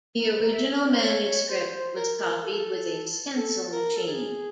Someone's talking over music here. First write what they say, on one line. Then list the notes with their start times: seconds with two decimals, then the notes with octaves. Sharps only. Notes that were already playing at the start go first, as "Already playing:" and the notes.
The original manuscript was copied with a stencil machine.
0.18 A#4
0.30 B4
0.41 A#4
0.53 E5
0.78 D5
0.93 C5
1.01 C#5
1.24 C#5
1.48 C5
1.71 C5
1.96 A#4
2.18 A#4
2.43 A4
3.37 A4
3.72 A#4
3.96 A4
4.07 G#4